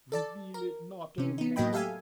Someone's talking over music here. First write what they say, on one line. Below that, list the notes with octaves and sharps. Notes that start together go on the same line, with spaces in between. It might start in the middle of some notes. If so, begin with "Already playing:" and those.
Reveal it not, oh Man!
A4 D5 A5
A#4
C3 C#4
B3 D#4
A2 F#3 A#3 D#5 G5 B5
G4 A4 E5 F5 G#5